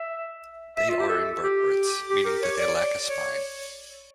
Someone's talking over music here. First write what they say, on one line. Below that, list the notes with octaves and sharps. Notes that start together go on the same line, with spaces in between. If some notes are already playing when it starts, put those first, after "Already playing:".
They are invertebrates, meaning that they lack a spine.
Already playing: E5
E5
F4
G4
A4
G4
G4
A#4
C#5
D5
D5
C#5